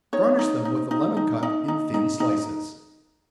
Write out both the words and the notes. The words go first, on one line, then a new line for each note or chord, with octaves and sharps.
Garnish them with a lemon cut in thin slices.
D#4 C#5
D#4
D#4
D#4
D#4
D#4
D#4
D#4
D#4